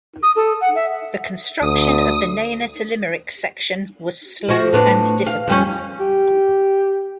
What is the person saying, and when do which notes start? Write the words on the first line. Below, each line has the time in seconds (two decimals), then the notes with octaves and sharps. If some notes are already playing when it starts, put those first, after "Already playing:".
The construction of the Nenagh to Limerick section was slow and difficult.
0.23 D#6
0.36 A4
0.61 F#5
0.76 E5
1.62 D2 D#6
4.48 F3 F#4
4.73 A2 B3 D4
5.26 F5
5.48 F2 G3 C#4
6.00 G4